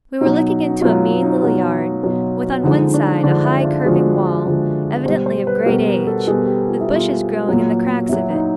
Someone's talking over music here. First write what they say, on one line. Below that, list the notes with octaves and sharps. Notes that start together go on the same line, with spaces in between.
We were looking into a mean little yard, with on one side a high curving wall, evidently of great age, with bushes growing in the cracks of it.
B2 F#3 D#4
B2 F#3 F4
D#4
B2 F#3
B2 F#3
D3 F3 G#3 D#4
D4
D3 F3 G#3 D4
E4
F4
D3 F3 G#3 F#4
D3 F3 G#3
B2 G3 C5
C5
B4
B2 G3 A#4
A#4
A4
B2 G3 G#4
G4
F4
E4
B2 G3
F4
A#2 F#3
A#2 F#3 E4
D#4